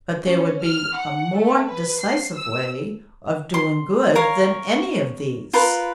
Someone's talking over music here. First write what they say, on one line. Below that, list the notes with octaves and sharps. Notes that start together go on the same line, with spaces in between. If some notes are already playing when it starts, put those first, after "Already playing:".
But there would be a more decisive way of doing good than any of these.
C#4
F6
F#5
A3
B4
C7
E6
C6
A#4 C#5 F5
F4 A#4 B4